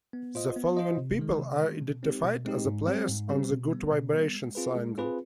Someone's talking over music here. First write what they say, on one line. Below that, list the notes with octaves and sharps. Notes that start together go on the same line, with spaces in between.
The following people are identified as players on the "Good Vibrations" single.
B3
F4 C5 D#5
B3
F4 C5 D#5
C3
D#3 G#3
C3
D#3 G#3
B2
G#3 C4 D#4 G4
B2
G#3 C4 D#4 G4
G#2
G3 C4 G4
G#2
G3 C4 G4
B2
G3 B3
B2
G3 B3
G#3
C4 F4 G#4 B4
G#3
C4 F4 G#4 B4